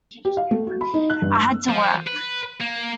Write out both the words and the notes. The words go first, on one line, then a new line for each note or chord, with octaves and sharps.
I had to work.
G4
F5
A3
F#4
B5
D#4
F#6
G2
E6
F3
B4
A#3